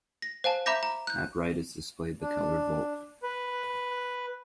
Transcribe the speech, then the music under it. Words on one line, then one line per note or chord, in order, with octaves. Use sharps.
At right is displayed the color Volt.
A#6
C5 F5 G#5 A5
E5 A#5 B5 D6 G6 A#6
A#5
F#6 G6
D4
B4